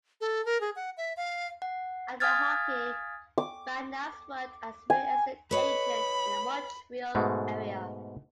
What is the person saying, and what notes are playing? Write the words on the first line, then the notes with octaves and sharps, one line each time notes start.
After hockey, Vadnais worked as a real estate agent in the Montreal area.
A4
A#4
G#4
F#5
E5
F5
F#5
F5 G#5 D#6 F6 G#6 A6
D6
G#5
B4 C#5 D#5 B5
G#2 B2 G#3 A3